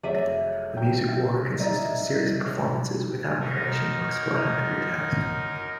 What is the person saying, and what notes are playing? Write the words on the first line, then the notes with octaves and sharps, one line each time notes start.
A Music War consists of a series of performances, without narration or explanatory text.
F1 F#3 G#4 C#5 D5 E5 D#7
G5 G6
D#4 D5 E5 A#5
F#2 D#4 A#4